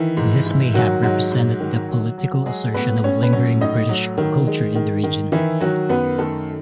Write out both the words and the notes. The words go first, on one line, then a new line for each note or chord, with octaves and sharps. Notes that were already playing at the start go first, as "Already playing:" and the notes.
This may have represented the political assertion of lingering British culture in the region.
Already playing: D#3 E3 E4
G#2
G#2
D#3 F#3 F#4
G#2 F#3 F#4
G#2
D#3
F#3
F#3
F#3 G#3 G#4
A2 B3 B4
A2 C#4 C#5
B4
F#3 C#4 C#5
A2 D#4 D#5
F#3
D#3
G#3
D#3
D#3
D#3 E3 E4
D#3 F#3 F#4
F#2 B3 B4
D#3 A3 A4